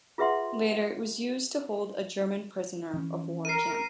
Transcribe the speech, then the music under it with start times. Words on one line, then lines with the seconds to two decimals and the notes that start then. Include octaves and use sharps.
Later it was used to hold a German prisoner-of-war camp.
0.18 F4 G#4 B4 E5 F#5 C6
2.93 E3 C#4
3.45 A#4 C7 D#7